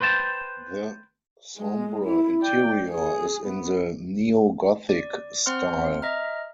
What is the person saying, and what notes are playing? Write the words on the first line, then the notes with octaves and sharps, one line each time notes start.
The sombre interior is in the Neo-Gothic style.
B4 C5 G5 A5
G#3
E4
D5 G5
G#4
B3
D5
C4 C5 F#5 C6 F6
D#5 E5 A#5 F6